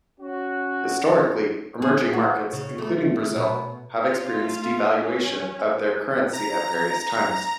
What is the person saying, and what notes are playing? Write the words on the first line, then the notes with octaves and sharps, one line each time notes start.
Historically, emerging markets, including Brazil, have experienced devaluation of their currency at various times.
C#4 F#4
G#4
F#4
C#3
A3
B2
F4
A3 F4
C#4
A#5 A#6